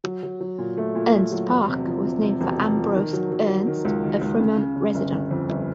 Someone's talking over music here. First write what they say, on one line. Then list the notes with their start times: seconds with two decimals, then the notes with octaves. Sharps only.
Ernst Park was named for Ambrose Ernst, a Fremont resident.
0.04 F#3
0.23 F#3
0.41 F#3
0.58 A#2
0.77 A3
0.95 A#2
1.13 A3
1.32 F#3
1.49 E1
1.68 C3
1.86 F3
2.04 C3
2.22 C3
2.41 E1
2.58 C3
2.76 F3
2.95 D#3
3.13 F#3
3.31 F#3
3.49 F#3
3.67 D#3
3.85 C#2
4.04 D#3
4.21 C#2
4.40 C#3
4.58 C#3
4.76 C#3
4.95 G1
5.13 G1
5.31 F2
5.49 G1